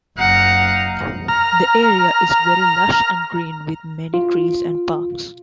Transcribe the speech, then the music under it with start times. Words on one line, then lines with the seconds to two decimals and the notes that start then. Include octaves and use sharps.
The area is very lush and green with many trees and parks.
0.18 F#1 D#4 F5 F#5 A#5
1.28 A#5 F6
4.14 F4